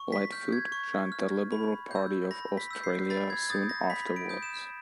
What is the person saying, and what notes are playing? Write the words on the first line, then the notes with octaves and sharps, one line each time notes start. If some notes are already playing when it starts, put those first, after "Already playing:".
Lightfoot joined the Liberal Party of Australia soon afterwards.
Already playing: C#6
B6
F6 G6
G#6
C#6
F6
B5
E6 G6
B5 A#6
B6
E6 G6
C7
B5 A6
G#6
D#6 G6 A6
A#6
B5 B6
D7
D#6 G6
E7